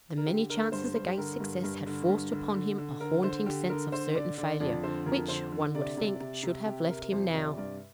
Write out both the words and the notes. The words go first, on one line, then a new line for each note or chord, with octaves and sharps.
The many chances against success had forced upon him a haunting sense of certain failure, which, one would think, should have left him now.
A#4
D3 G4
D3 A#4
G2 C5
G2 C5
G4
D3 A#4
G2
G2
D3
G2
D3
D3
D3
D3 A#4
D3 C5
D3 G4
D3 A#4
D3 C5
D3 D5
D3 D5
F2 D5
D3 C5
F2 A#4
D3 C5
D3
C3 D5
C3
C3
C3
C3 G4
C3 A#4
F2 C5
C3 D5
G2 D5